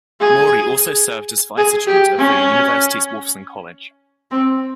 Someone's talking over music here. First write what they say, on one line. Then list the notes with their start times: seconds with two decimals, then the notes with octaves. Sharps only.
Moorey also served as Vicegerent of the University's Wolfson College.
0.20 G#4
1.58 G#4
1.87 G4
2.18 C#4
4.31 C4